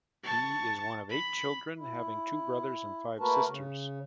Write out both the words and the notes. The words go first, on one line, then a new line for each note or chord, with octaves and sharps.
He is one of eight children, having two brothers and five sisters.
A5 C#6
B5
E4
A3 A#3 F#4 A#4 B4 A5
C#3